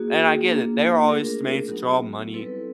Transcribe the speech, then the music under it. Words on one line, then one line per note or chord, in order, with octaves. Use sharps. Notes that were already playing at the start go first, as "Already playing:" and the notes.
And I get it, they're all just made to draw money,
Already playing: A#3 D#4 F#4 G#4
A#3 D4 F4
A3 D4 F4 G#4 A#4
F#3 B3 D#4 F#4
G3 C4 E4 A4 B4